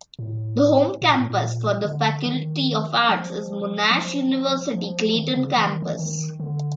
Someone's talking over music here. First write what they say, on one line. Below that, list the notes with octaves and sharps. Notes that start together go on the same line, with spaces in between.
The home campus for the Faculty of Arts is Monash University Clayton Campus.
A2
A#2
A2
A#2
D3
D#3
F3
F3
F3
D#3
C#3
E3
D#3
E3
D#3
D3